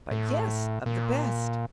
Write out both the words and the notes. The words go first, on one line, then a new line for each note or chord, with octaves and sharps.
'But yes, of the best!'
A2
A#2